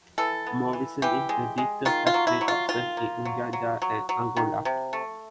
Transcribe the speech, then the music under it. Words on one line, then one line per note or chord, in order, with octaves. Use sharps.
More recently the beetle has been observed in Uganda and Angola.
E3 A4
B3
E3
E3 G4
G#3
G#3
D#3 F4
F4
F#3
E4
F#3
F4
D#3 F4
A#3
F#3
F#3
F#3
F#3
D#3
C3
A3